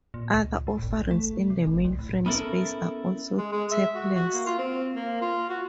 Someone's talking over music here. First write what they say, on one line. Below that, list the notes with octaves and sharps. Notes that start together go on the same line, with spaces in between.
Other offerings in the mainframe space are also "tapeless".
A#2
C#2
A2
G1
C2
A3
C3
G#1
C2
A2
B3 C#4 E4 A4 A#4
G#3
G#3
E5
F#4
F#4
A#3
F4
C4
A#3
F4
F#4